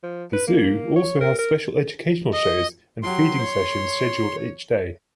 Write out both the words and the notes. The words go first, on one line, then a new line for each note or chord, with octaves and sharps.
The zoo also has special educational shows and feeding sessions scheduled each day.
F3
B4
A#3
C#5
A#4
A#4
D#5
F#3 G4 C6
C#5